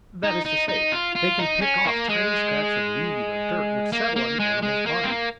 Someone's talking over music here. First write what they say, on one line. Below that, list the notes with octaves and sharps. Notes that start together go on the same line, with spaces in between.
That is to say, they can pick off tiny scraps of weed or dirt which settle on the animal's body.
D#4
D#4
D#4
F4
F4
D#4
C#4
A#3
G#3
A#3
A#3
G#3
G#3
A#3
C4
A#3